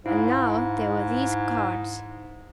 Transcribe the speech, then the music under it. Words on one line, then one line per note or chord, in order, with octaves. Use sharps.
And now there were these cards.
G#2 E4 F5